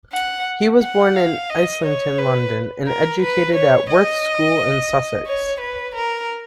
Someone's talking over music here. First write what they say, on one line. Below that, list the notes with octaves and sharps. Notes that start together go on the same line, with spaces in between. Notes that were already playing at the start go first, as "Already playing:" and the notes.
He was born in Islington, London, and educated at Worth School in Sussex.
F#5
F#5
F5
D#5
C#5
B4
A#4
B4
C#5
D#5
C#5
B4
A#4